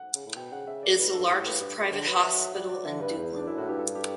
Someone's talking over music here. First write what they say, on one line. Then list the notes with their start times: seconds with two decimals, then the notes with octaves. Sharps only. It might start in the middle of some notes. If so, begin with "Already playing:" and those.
It is the largest private hospital in Dublin.
Already playing: F#5
0.15 C#3
0.26 A2
0.36 B2 G5
0.51 C#3 F#5
0.67 C#3 E5
0.83 D5
0.98 A2 B4
1.12 G2 A4
1.26 A2 G4
1.46 B4
1.61 G2
1.77 F#2
1.92 D3 C#5
2.08 F#3 B4
2.23 E5
2.33 F#5
2.39 E5
2.54 G3 F#5
2.69 F#3 D5
2.85 D3 E5
3.01 G2 B4
3.17 E2
3.36 D4
3.47 F#2 E4
3.58 A2 F#4
3.69 G2 G4
3.79 A4
3.95 G4